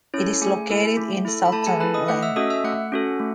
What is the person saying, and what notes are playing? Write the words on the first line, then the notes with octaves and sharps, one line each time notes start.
It is located in Sutherland.
C#4 E4 A4 C#5
A3 G#4 G#5
E4 A4
A3
E4 A4
B5
A3 A4 A5
A5
G#4 G#5
E4 A4 B4 B5
D#5 D#6
A3 F#5 F#6
E5 E6
C#4 F#4 A4 D#5 D#6
E5 E6
A3 F#5 F#6
C#4 F#4 A4
A3